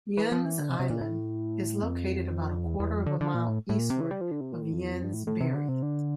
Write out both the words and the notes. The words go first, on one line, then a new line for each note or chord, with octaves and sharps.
Ynys Eilun is located about a quarter of a mile eastward of Ynys Bery.
E3
F3
E3
D3
C3
C3
A#2
A2
F2
E2
E2
F2
D3
D3
A#2
A2
A2
A#2
C3
E3
G3
F3
D3
C3
A#2
A2
F2
E2
F2
G2
A2
A2
C3
D3
C3
D3